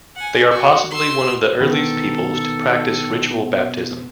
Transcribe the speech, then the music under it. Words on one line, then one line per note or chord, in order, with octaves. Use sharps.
They are possibly one of the earliest peoples to practice ritual baptism.
F#5 G#5
F#4
C6 E6
B2 D#3 B3 A4